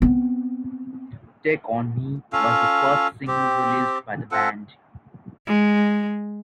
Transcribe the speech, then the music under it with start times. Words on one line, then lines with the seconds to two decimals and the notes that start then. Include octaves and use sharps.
"Take On Me" was the first single released by the band.
0.02 B3 C4
2.33 C#4 F4 A4 F5
3.28 C4 G4
4.32 C4 F4 A4 F#5
5.47 G#3